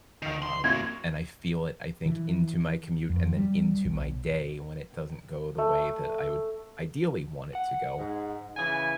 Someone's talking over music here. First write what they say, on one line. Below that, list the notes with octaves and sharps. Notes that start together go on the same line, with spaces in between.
Um, and I feel it I think, into my commute and then into my day when it doesn't go the way that I would ideally want it to go.
D#3
C6
A#3 F#4 G#6
E3
F2
G3
B1
A3
F#5
G#2
C#3 E3 G#5